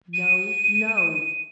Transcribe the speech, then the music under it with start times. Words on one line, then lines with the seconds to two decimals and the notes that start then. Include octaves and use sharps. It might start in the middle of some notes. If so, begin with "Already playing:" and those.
"No, no!"
0.13 D#7